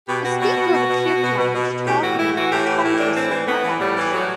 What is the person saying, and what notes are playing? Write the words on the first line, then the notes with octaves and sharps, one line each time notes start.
A speaker of a click language taught me a tongue twister in her language.
B2 G4
B2 F#4
B2 F#4
B2
B2
B2
B2
B2
B2
B2
B2
A2 G4
E3 F#4
A2 E4
E3 F#4
A2 G4
E3 G4
A2 E4
E3 D4
A2 C4
E3
A2 B3
E3
A2 G3
E3
A2 F#3